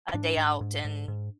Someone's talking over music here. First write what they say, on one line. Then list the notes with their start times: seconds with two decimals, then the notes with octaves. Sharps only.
a day out, and
0.14 G#2 D4
0.37 G#2
0.61 G#2
0.85 G#2
1.08 G#2